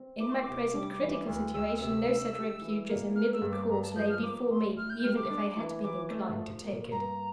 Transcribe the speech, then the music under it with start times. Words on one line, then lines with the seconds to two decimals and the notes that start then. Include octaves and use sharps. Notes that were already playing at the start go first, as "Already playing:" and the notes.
In my present critical situation, no such refuge as a middle course lay before me--even if I had been inclined to take it.
Already playing: C4
0.19 E4 D6
0.31 C6
0.43 C3 D6
0.74 G3
1.01 E3
1.27 D2
1.54 D2 E6
1.81 C3 E6
2.07 D4
2.35 G4
2.61 E3
2.89 A#3
3.15 A#3 F6
3.33 E6
3.42 G2
3.51 D6
3.69 G2 A#5
3.82 A5
3.96 F3 G6
4.09 F6
4.23 A#3 D6
4.49 A2 C6
4.77 A2 F6
4.90 G6
5.03 G3 F6
5.16 D6
5.30 D4
5.57 E3
5.83 E3 D6
6.10 A3
6.38 F3
6.64 A#3
6.91 G2 A#5